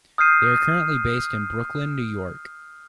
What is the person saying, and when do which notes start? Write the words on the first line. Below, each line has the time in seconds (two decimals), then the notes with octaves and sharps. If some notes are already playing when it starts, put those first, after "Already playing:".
They are currently based in Brooklyn, New York.
0.18 D#6 F6 G6 C7 D#7